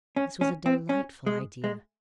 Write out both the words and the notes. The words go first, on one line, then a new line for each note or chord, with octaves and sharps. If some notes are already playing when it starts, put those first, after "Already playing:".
This was a delightful idea.
C#4
C#4
C4
C#4
G#3
G#3